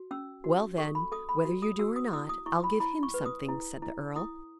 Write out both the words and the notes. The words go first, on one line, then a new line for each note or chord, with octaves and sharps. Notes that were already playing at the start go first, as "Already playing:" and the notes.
"Well, then, whether you do or not, I'll give him something," said the earl.
Already playing: F#4
C#4 E6
F#4
A4 C#6
B5
A4 D#6
B5
F#4
D#6
F#4 E6
D#6
E4 D#6
D#6
E4 C#6
B5
E4 B5
C#6
B4
D#6
E4
E4
E4 D#6